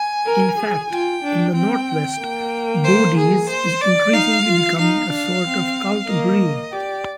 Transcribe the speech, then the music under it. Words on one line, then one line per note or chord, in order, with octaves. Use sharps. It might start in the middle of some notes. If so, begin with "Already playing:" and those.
In fact, in the North-West, Boddies is increasingly becoming a sort of cult brew.
Already playing: G#5
A#4
G#4
F4 G5
D4
C4 G5
A#3
C5
G#4
C5
D5
D#4 F5
F4
D#4 F5
D4
C4
A#3 D#5
G4 D5